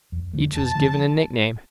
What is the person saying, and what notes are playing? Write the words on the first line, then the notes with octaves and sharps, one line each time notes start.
Each was given a nickname.
F2
D3 F3 A3
F2 A5
D3 F3 A3